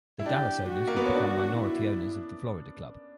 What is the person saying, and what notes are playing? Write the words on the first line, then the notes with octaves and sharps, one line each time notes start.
The Dallas owners would become minority owners of the Florida club.
E4
D4 G4
F#4
A#3
B3
C#4
D4
E4